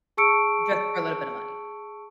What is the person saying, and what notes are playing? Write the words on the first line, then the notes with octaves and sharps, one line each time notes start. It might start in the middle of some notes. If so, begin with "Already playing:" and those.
just for a little bit of money.
G#4 A5 C#6 E6 C#7 D7